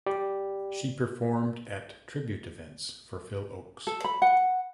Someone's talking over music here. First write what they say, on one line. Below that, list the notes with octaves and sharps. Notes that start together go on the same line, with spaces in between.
She performed at tribute events for Phil Ochs.
G4 D5
A4
B5
F#5